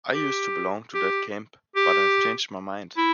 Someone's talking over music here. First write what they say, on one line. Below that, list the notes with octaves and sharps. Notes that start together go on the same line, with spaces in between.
I used to belong to that camp, but I have changed my mind.
G4
G4
G4
E4